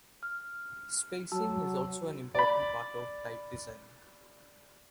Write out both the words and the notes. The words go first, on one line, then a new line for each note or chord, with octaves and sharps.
Spacing is also an important part of type design.
F6
F#3 F#4 A5 E6
D5 B5